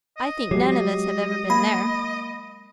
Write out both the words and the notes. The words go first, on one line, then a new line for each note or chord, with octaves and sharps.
I think none of us have ever been there.'
D#5
F#3 G#3 G4
D#5
A#3 B5